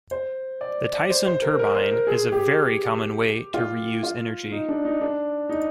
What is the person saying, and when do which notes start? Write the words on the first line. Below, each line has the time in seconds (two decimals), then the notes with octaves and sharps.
The Tyson Turbine is a very common way to reuse energy.
0.11 C5
0.61 D5
0.94 D5
1.10 C5
1.26 C5
1.42 A#4
1.59 A#4
1.75 C5
1.91 A#4
2.07 G#4
2.32 G4
3.54 F4
4.03 F4
4.52 D#4
4.69 D4
4.85 D#4
5.01 D4
5.49 D#4